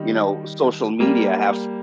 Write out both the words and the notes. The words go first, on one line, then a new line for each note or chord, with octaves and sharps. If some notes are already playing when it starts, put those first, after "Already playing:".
you know, social media have s
Already playing: D#3 G3
G3 A#3